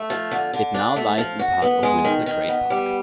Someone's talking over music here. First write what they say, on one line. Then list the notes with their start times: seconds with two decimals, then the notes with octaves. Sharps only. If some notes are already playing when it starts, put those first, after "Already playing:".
It now lies in part of Windsor Great Park.
Already playing: A3
0.10 F3
0.31 D3
0.53 D3
0.74 D4
0.96 A3
1.18 F3
1.39 F#4
1.62 B3
1.83 G#3
2.05 D#3
2.26 D#3
2.48 B3
2.70 G3